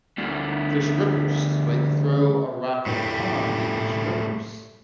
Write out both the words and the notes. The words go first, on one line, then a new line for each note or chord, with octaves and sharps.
there's ripples, like you throw a rock in a pond and there's ripples.
D2 G3
A2 G3